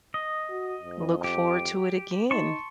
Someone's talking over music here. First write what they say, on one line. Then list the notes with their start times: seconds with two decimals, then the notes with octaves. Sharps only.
Look forward to it again.
0.14 D#5
0.49 F#4
0.82 F2
1.24 G4
2.31 D#4 A5 C6 C#6